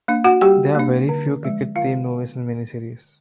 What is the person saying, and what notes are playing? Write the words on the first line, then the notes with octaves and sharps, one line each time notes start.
There are very few cricket themed movies and mini-series.
A#3 D4
F#4 F#5
G3 G4 G5
A#3 D4
D3
F3 G#3
D3 F4 F5